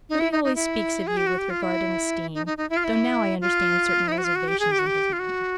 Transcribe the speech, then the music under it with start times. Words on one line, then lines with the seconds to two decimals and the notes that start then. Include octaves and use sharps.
But he always speaks of you with regard and esteem, though now I understand certain reservations in his manner.'
0.09 D#4
0.20 E4
0.32 D#4
0.44 D#4
0.55 E4
1.07 G#4
1.17 G4
1.27 F#4
1.39 G4
1.50 F4
1.62 E4
2.34 D#4
2.46 D#4
2.58 D#4
2.70 E4
2.77 F4
2.84 E4
3.41 F4
4.08 D#4
4.12 E4
4.18 F#4
4.24 F4
4.35 F#4
4.48 G4
4.60 G#4
4.72 G4
4.79 F#4
4.87 G4
5.13 F4
5.19 F#4